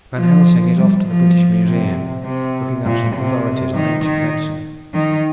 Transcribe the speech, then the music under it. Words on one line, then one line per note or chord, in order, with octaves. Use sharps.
Van Helsing is off to the British Museum looking up some authorities on ancient medicine.
F3
G3
F3
C3
C3
A#2
C3
D#3
D#3
D#3